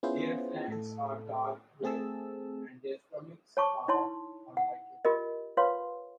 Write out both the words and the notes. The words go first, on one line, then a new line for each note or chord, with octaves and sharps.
Their flanks are dark gray, and their stomachs are a lighter gray.
B3 C#4 E4 F4 G#4 C5
A2 A4
A3 C4 G#4 A5 E6
C#5 A5 C#6 D6
D#4 E4 C#5 A5 C6
F#5
F4 G4 A#4 D#5
F4 B4 C#5 F5 C6